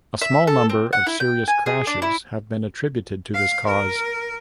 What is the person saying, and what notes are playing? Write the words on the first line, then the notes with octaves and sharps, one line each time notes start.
A small number of serious crashes have been attributed to this cause.
E5
A4
C4
F#5
E4
G5
G#5
G#4
D4
E4
F5
A#4